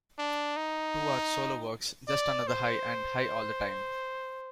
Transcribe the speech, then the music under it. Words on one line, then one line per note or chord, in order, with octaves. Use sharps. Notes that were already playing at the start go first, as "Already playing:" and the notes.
Two are solo works: "Just Another High" and "High All The Time".
D4
D#4
D5
C5